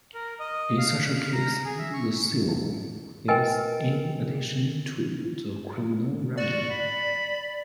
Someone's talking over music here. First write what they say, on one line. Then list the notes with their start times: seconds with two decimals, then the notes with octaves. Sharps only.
In such a case, the civil is in addition to the criminal remedy.
0.14 A#4
0.40 D#5
0.78 F5
1.14 F6
1.33 A#5
1.65 G#4
1.79 E5
1.94 C#6
3.28 A#4 B4 D#5 G5 G#5
6.37 F#4 D5
6.71 B5